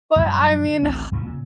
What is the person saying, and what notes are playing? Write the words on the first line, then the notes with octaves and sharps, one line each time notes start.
But I mean, h
F#2 A#2 F#3 G3
D3
A1 D2 C4
F2 G#2 C3 F3
A#2 C#3